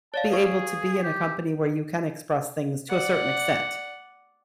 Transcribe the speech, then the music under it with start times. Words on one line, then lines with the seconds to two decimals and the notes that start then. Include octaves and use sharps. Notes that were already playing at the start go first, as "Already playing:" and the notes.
be able to be in a company where you can express things to a certain extent.
0.14 C#5 D5 F5 A5
0.30 G#4 B4 F5 C#6
1.03 G4
2.89 D5 F#5